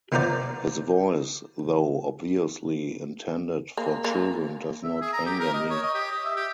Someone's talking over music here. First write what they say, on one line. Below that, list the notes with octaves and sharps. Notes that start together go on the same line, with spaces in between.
His voice, though obviously intended for children, does not anger me.
D3 B3 F4 A#4 C5 D5
A#3
A#3
E5
G#4
A#5
G4
A#4
D#5
C#5
D#5
G4
D#6
E5
G4